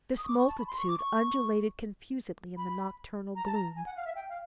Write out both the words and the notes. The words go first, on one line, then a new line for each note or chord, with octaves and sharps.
This multitude undulated confusedly in the nocturnal gloom.
D#6
C#6
D6
C#6
A5
B5
C6
C#6
D6
C#6
B5
A#5
A5
A#5
G#5
F#5
F5
E5
G5
F5